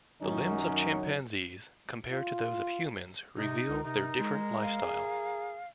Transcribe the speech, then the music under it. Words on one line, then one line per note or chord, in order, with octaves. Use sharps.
The limbs of chimpanzees, compared to those of humans, reveal their different lifestyle.
F#2 D#3 F#3 C#4 D#4
F4
C3 D#4
C#2 A#4
C3 D#4
G#3
F5
G#4